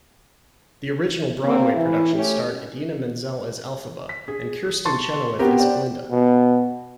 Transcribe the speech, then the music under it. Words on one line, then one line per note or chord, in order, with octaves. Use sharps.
The original Broadway production starred Idina Menzel as Elphaba and Kristin Chenoweth as Glinda.
A#3 C4
E3 E4
A3 C#4 G4
B6
G#4
A5 C6 C#6 A6
B3 C4 F#4 G4 A#4
C5 D5 G5
B2